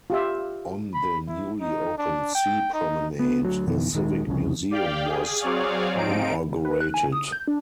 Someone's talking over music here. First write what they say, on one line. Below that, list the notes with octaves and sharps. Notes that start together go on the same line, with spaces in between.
On the newly opened sea promenade a Civic Museum was inaugurated.
F4 G4 E5
B5
E4
D#4
D4
G5
D#4
B3
D2 F#3
F2 B2 D#3 E3
D#1 D#3 G#3
C2 F2 C#3
G4 D5 F5 G5
G#4
F#3 C4 G#4 C#5 D5 F5
G#2 F3 C4 D#4 D7
B4
F#6
G#5
D#6
G6
D4